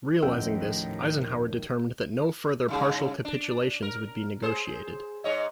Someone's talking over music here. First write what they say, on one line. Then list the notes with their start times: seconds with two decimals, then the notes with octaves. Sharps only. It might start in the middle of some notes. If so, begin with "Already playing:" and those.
Realising this, Eisenhower determined that no further partial capitulations would be negotiated.
0.22 G#1 D#2 A2 D#3 F3 C#4 A#4 G5
2.68 G2 C#3 G#4
3.25 D4
3.82 A#4
4.42 G#4 C5
5.24 G#2 C#5 D#5